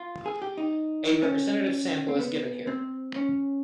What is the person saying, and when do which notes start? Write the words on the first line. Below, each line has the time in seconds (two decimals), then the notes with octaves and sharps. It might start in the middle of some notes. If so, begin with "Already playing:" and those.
A representative sample is given here.
Already playing: F4
0.26 G#4
0.42 G4
0.57 D#4
1.22 C#4
2.08 C4
2.19 B3
2.67 C4
3.16 C#4